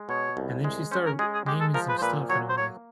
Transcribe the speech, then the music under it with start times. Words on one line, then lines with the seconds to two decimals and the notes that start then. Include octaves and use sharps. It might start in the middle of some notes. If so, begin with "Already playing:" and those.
And then she started naming some stuff, and I'm like
Already playing: G#3
0.09 B2 C#5
0.37 C2
0.64 G#3
0.91 C#4 C5
1.06 A#4
1.19 G#3 G#4
1.34 G#4
1.46 G#3 G4
1.60 A4
1.74 F3 A#4
1.89 B4
1.98 C5
2.02 A#2 B4
2.30 F#3 C#5
2.49 C5
2.57 A#3 C#5